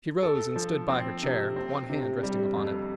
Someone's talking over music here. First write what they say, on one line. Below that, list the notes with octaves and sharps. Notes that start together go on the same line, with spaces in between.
She rose and stood by her chair, one hand resting upon it.
A4
F3
C4
C3
C4
C3
G3
F2